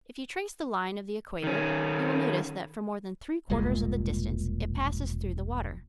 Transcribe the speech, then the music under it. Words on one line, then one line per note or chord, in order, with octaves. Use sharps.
If you trace the line of the equator you will notice that for more than three-quarters of the distance it passes through the water.
D#3 C#4
E1 C2 A#2 G#3